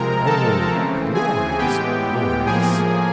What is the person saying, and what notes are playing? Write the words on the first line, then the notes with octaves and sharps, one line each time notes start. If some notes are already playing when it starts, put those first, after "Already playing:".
Oh, glorious, glorious!
Already playing: C3 F3 G#3 C4 A#4 A#5
A4 A5
C#3 E3 A3 C4
G#4 G#5
A2 E3 G#3 B3 G4 G5
A2 F3 A#3 G#4 G#5